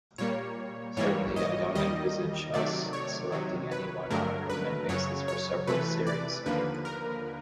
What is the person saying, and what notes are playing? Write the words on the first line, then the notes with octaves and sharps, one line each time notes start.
Certainly I don't envisage us selecting anyone on a permanent basis for several series.
A#2 G3 A#3 C#5
G#2 E3 G3 A#3 C#5
D#5
D#2 D#3 G3 D#5
C3 D#3 F#3 A3 D5
C#5
C3 D#3 F#3
B4
G2 D3 F#3 A3 A#4
B4
F#2 C#3 F#3 C#5
C#5
C3 E3 A3 B4
D5
D#2 D3 F3 A#3 B4
A#4